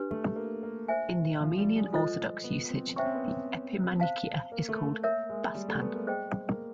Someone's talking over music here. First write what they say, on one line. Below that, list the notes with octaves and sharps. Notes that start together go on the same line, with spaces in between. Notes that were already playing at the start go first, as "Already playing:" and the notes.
In the Armenian Orthodox usage, the epimanikia is called "baspan".
Already playing: D4 G4 B4
A3
A#3
A#3
C5 E5 G#5
F3
G3
G#3
F4 A4 C5 D#5
B3
C4
C#4 C5 E5 G5 A#5 C#6
C4
B3
C4
C5 F5 A5
A#3
A3
A3
A#3 A#4 C#5 E5
G#3
G3
A3
B3
A#3
G#4 C5 D#5 G5
A#3